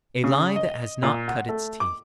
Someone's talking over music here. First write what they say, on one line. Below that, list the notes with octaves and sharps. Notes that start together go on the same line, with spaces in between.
A lie that has not cut its teeth.
C#3
D#5
A#2
F#5
A3
D6